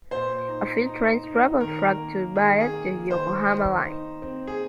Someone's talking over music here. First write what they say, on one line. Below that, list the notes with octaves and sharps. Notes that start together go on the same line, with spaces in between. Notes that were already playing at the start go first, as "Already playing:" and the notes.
A few trains travel through to via the Yokohama Line.
A#2 C5
D#4
D#4
D#4
D#3 A#4
A#3
D#3 G#4
G#4
A#3
D#3 C5
D#3
D#4
C4
G#4